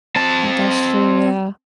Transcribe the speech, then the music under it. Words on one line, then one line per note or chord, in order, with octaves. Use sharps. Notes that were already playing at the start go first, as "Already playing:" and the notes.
That's true, yeah.
C4 A5